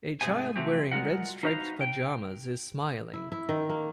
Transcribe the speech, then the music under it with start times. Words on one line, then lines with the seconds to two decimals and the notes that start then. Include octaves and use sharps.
A child wearing red striped pajamas is smiling.
0.21 G#2 C3 A3 G#4 C5 G#5
0.56 C3 F3 A3 C4 F#4 G4
0.91 G3 G#3 F4 F#4 A#4 F#5
1.43 D#4 F#4 B4 C5 D#5 F5
1.81 G5
3.14 E4
3.32 E4
3.49 D#3
3.69 A#3